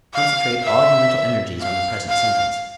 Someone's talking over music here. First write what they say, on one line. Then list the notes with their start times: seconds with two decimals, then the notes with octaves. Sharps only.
Concentrate all your mental energies on the present sentence.
0.14 F5
0.63 E5
1.61 F5
2.09 F5